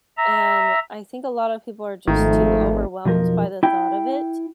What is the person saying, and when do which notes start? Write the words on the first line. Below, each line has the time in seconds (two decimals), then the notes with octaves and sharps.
and I think a lotta people are just too overwhelmed by the thought of it,
0.17 E5 A#5
2.08 G#1 D#3 F3 A3
3.05 B1 F2 F3 A#4
3.63 E4 G5